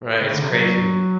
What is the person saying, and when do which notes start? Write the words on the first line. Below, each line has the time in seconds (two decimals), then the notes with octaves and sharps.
Right, it's crazy.
0.21 C#3
0.31 D3
0.41 C3
0.50 F#3